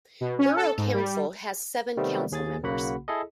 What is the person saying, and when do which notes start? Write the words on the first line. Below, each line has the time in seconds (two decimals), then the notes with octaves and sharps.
Borough Council has seven council members.
0.21 B2
0.39 C#4
0.57 A4
0.78 G#2
0.93 G3
1.97 C3 D#3 G3 A3 B3 C4
2.32 D#2 G#4 G#5 A6
2.63 B1 C#3 A#3 F#4 F#5 B5
3.08 E4 G#4 A4 D#5